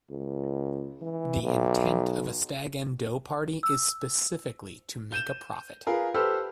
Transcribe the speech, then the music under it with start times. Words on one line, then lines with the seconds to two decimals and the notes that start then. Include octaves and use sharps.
The intent of a stag and doe party is specifically to make a profit.
0.10 C#2
1.01 E3
1.43 B1
3.63 E6
5.12 G6 D#7 E7
5.86 F4 G#4 A#4 B4 F5
6.14 G4 A4 B4 C5 E6 F6